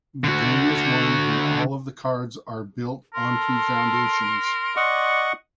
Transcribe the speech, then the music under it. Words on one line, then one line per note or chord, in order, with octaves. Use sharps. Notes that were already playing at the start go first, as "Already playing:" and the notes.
The game is won when all of the cards are built onto the foundations.
D3 F#4
A4 A#4 C6
D5 D#5 F#5 C#6